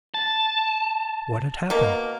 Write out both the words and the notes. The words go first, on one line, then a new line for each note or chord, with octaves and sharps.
What had happened?
A5
B2 A#3